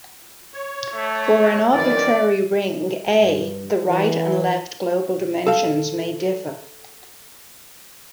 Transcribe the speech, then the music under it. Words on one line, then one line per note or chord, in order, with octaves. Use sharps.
For an arbitrary ring "A" the right and left global dimensions may differ.
C#5
A3
F#2 D#3 E3 D5
G2
E3
A4 F5